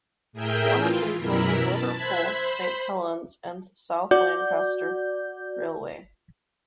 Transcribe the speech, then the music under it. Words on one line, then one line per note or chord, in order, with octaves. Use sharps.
One of these was the Liverpool, Saint Helens and South Lancashire Railway.
A2 G#4 A#4 E5 G5 G6
E3 F4
F#2 B2 E3 E4 A#4 B5
A5
C5 E5 B5 F#6 G#6 B6
C5 B5
F#4 D5 G6